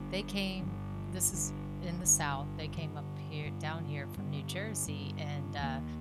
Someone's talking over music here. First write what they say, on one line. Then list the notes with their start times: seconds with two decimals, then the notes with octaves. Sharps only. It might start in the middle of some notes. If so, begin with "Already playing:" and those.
they came this is in the South, they came up here down here from New Jersey, and, uh,
Already playing: G1 G2 D3
0.61 G1 G2 D3
1.33 G1 G2 D3
2.03 G1 G2 D3
2.75 G2 D3 G3
3.45 G2 D3 G3
4.17 G2 D3 G3
4.88 G2 D3 G3
5.59 D#2 D#3 A#3